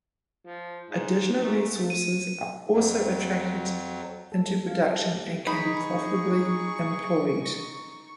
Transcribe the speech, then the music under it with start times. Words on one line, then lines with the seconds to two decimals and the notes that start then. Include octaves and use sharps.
Additional resources are also attracted into production and can be profitably employed.
0.46 F3
0.91 G#2
1.40 A3
1.90 D#7
2.74 F2 F#3
4.32 A4
4.50 G3
4.68 F5
4.85 A4
5.02 G4
5.14 F#3
5.47 D#4 G#4 B5 C#6